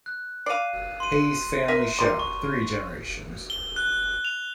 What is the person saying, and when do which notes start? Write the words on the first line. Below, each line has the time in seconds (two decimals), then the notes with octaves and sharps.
Hayes Family Show: Three Generations.
0.06 F#6
0.46 D5 F5 C7 D#7
1.00 C6 D#7
1.68 A#4 E5 D#7
1.99 G3 A#4 C6
2.19 C#6
3.50 G7
3.76 F#6
4.25 F7